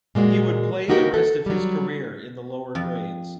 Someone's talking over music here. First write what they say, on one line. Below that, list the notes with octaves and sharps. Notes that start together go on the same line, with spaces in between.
He would play the rest of his career in the lower grades.
A#2 G#3 A#3 F#4
A#3 D#4 F#4 G4 A#4
A4
F#3 G3
F2